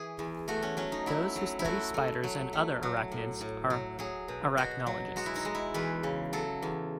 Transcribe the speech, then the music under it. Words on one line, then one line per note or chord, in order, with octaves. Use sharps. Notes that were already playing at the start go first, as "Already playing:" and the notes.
Those who study spiders and other arachnids are arachnologists.
Already playing: E3 G#4
E2
A3 F#4
C#4
F#3 C#4
D#4
F#3 E4
F#3
E4
A3 F#4
A3
F#3
A3
F#3
A2
A2
F#3
F#3 G#4
B2
B2 F#4
F#3
G#3 F#4
E4
D#4
G#3
E4
E2 B4
C#3
F#3 A4
E2